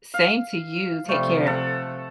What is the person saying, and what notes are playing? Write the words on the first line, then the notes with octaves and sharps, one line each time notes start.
Same to you. Take care.
F5
C3 F3 G3 A3
A4 F#5